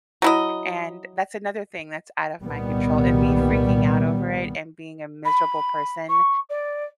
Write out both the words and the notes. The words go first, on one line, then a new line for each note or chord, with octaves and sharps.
and that's another thing that's out of my control, and me freaking out over it and being a miserable person,
F#3 E4 D#5
C2 A#2 D#3 G3 B3
B5
C#6
D5